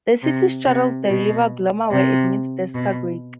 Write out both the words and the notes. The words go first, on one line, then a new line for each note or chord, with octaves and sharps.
The city straddles the river Glomma where it meets the Skagerrak.
C3
C3
B2
C3
B2